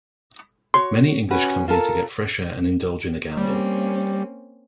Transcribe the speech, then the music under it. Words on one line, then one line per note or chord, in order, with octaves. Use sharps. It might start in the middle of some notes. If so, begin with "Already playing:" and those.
Many English come here to get fresh air and indulge in a gamble.
F#4 C#5 C6
C#4 F#4 B4
F4 A4 A#4
G3 A#3 C4 C#4